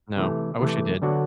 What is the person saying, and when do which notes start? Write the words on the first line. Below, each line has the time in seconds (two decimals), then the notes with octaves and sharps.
No. I wish I did.
0.16 C3 E3 A3
0.59 C3 E3 A3
1.02 D3 F#3 B3 D4 F#4